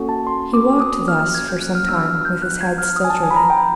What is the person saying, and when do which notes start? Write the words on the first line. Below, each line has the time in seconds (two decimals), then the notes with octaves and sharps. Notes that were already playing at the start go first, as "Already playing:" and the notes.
He walked thus for some time, with his head still drooping.
Already playing: A#3 C#4 F#4 A4
0.09 A5
0.27 C6
0.54 D6
0.81 D#6
1.08 F6
1.35 G#6
1.48 G6
1.61 F#6
1.75 F6
1.89 B3 D4 F#4 E6
2.06 F6
2.25 G6
2.42 F#6
2.61 G#6
2.78 F6
2.96 D#6
3.04 G#5
3.10 A5
3.23 G#5
3.31 B5
3.36 A#5
3.50 G5